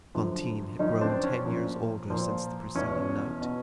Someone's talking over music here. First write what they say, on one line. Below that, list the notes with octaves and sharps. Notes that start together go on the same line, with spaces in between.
Fantine had grown ten years older since the preceding night.
F#2 D3 F3
F#2 D3 F3 C#4 D#4
C4 D4
C#4
A#2 F3
A#2 F3
E2 B2 C#4
B2